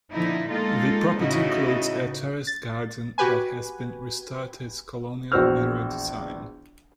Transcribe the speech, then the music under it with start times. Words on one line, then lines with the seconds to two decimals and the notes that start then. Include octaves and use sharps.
The property includes a terraced garden that has been restored to its colonial-era design.
0.14 A#2 D3 F3 D#4 E4
0.51 G#3 A#3 D#4 F4 A4
1.20 A2 C#3 D#4 E4 F#4 D#5
2.47 A6
3.18 F#4 G4 B4 G#5
5.32 A#1 E2 F#4 C5 E6 F6